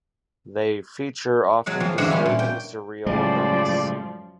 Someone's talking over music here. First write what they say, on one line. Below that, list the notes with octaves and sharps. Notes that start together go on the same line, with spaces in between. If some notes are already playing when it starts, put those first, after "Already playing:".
They feature often disturbing, surreal events.
F#3 G#3 F#5
F2 F3 C4
F#2 D3 E3 G#3 F#5 C6
G3 C#4 E4 F4
A#2
G5
F#2 A2 C#3 F3 G3 G#3 D5